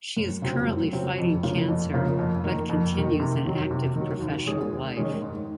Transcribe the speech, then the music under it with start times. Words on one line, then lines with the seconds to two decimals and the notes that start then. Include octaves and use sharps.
She is currently fighting cancer but continues an active professional life.
0.17 F#2
0.42 C#3 F#3 C4 F4
0.67 F#2
0.93 C#3 F#3 C4 F4
1.18 F2
1.43 C#3 F3 A#3 F4
1.68 F2
1.94 C#3 F3 A#3 F4
2.19 F2
2.44 D#3 A#3
2.69 F2
2.94 D#3 A#3
3.20 C3
3.46 D#3 F#3
3.71 C3
3.96 D#3 F#3
4.20 D#2
4.46 D#3 G#3 C#4 G#4
4.71 D#2
4.97 D#3 G#3 C#4 G#4
5.22 G#2